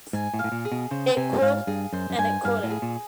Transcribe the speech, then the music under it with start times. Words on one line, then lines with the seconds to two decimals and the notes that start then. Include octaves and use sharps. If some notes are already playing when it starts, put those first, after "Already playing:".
It could and it couldn't.
0.13 G#2 G#5
0.34 A2
0.39 F5
0.44 A2
0.52 A#2
0.65 G#4
0.72 B2
0.91 C#3 C5
1.17 C3 G#5
1.32 G2
1.41 G#2 F5
1.67 G2 G#4
1.93 F#2 C5
2.10 F#2
2.18 G2 G#5
2.45 G2 F5
2.63 A2
2.70 G#4
2.82 A#2